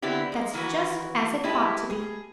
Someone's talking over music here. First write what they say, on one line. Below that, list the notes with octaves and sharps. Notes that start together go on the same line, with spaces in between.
That's just as it ought to be.
D3 B3 C4 E4 G4
G#3
D#3 E3 F#4 B4
G#3 E4 G4 A4 B4
G#4